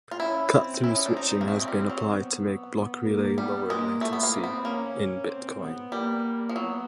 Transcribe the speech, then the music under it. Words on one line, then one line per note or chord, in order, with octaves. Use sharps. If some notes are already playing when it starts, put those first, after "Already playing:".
Cut-through switching has been applied to make block-relay lower latency in Bitcoin.
F4
C#4 E4
C4
C#4 E4
D#4
D4
C4 D#4
A#3
A3
G#3
G3
F#3
B3
B3
A#3
G3 B3
G#3 A#3
A3
B3
A#3
C4
B3
A#3 C#4
C4
B3
G3 A#3
F3
F#3 B3